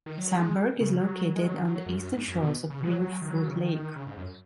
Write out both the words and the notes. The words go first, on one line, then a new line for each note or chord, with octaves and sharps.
Samburg is located on the eastern shores of Reelfoot Lake.
D#3
F#3
G#3
C#3
F#3
G#3
F#3
D#3
F#3
F#3
F#2
F#2
G#2
F#2
B2
C#3
B2
G#3
F#3
F#3
F#3
D#3
F#3
C#3
D#3
D#3
C#3
G#2
F#2